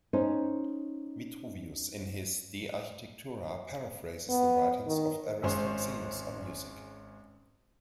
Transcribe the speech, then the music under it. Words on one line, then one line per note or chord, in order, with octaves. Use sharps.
Vitruvius in his "De architectura" paraphrases the writings of Aristoxenus on music.
C#4 D#4 C5
B3
D#3
G#1 G#3 C#4 C5